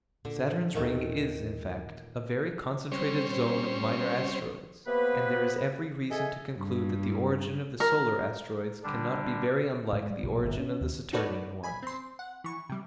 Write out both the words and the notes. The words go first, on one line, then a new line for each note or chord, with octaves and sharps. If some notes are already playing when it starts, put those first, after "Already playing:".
Saturn's ring is, in fact, a very concentrated zone of minor asteroids, and there is every reason to conclude that the origin of the solar asteroids cannot be very unlike the origin of the Saturnian ones.
A#2 D3
D#2 A#2 D#3 E3 A3
G3 C4 C#4 C5 C#5
C3 A#3 B3 B4
G#4 A4 D#5 E5 G#5
G2
A#4
D3 G3 D4
G#2
G3
B1
G1
C#4
D#2
D#4 F#4 A4 B4 C#5 D5
G#5 B5
C4 C6
F#5
E3 C#6
C3 G3